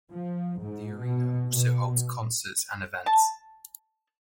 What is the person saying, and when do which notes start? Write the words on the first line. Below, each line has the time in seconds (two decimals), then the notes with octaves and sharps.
The arena also holds concerts and events.
0.11 F3
0.61 G#2
1.00 B2
1.52 B2
3.06 A5